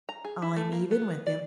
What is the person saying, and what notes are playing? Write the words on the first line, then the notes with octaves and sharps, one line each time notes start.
I'm even with him.
A#5
G#4
E4
A3
A#3
B3
D5